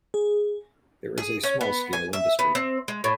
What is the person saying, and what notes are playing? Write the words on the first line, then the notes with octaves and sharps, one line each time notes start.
There is small scale industry.
G#4
G#4
C#4
B3
G#5
E5
B3
C4
G#3
A2